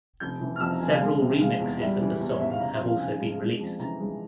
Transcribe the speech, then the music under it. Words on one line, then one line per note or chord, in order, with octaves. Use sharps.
Several remixes of the song have also been released.
F1 G6
E3
F6
F2 E6
A#5
F1 G#5
F5
G#3
C3
G#3 F5
E2
G3 E5
E3
E2
C#5
E2 E5
F5
C#3 A#5
C6
F2
F5
C#3 G#5
G#3
G#3
F2
E3 A#5
G#3